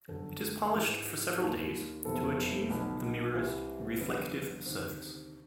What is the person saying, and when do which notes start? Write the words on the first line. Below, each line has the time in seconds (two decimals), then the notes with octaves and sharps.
It is polished for several days to achieve the mirror's reflective surface.
0.08 G1 F#2 D3 A4
0.73 A1 G#2 E3 G#4
1.39 D#2 D#3
2.04 F1 E2 B2 A4
2.70 B1 B2
3.35 C2 C3 E3 C5
4.01 G1 F2 D3 B4
4.66 D2 C3 D#3 C5